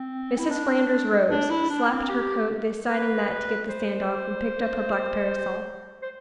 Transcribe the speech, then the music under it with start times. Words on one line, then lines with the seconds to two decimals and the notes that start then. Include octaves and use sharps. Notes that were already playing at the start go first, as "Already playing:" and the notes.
Mrs. Flanders rose, slapped her coat this side and that to get the sand off, and picked up her black parasol.
Already playing: C4
0.38 E4
0.50 D4
1.30 D4
1.50 E4
1.70 D4
1.89 C4
2.09 G4
2.89 B4
3.68 C5
6.02 C5